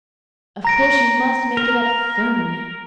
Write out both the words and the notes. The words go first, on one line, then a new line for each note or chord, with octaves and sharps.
Of course, you must make it up FIRMLY.
A#5 A#6 D7
A#4